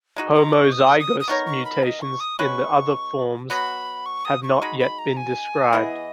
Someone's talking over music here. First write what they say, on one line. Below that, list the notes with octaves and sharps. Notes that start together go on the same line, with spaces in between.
Homozygous mutations in the other forms have not yet been described.
G#3 D#4 F#4
A#5
C#6
D#6
D#6
D#6
B3 D#4 A#4 C#5 C#6
C#6
B5
D#5
C#6
D#6
G#3 C#4 F#4 B4 C#6
F#3 B3 F#4 B5
C#6
D#6
C#6
G#3 D#4 F#4 B5
B5
A#5
G#5
E3 B3 E4 G#4 D#5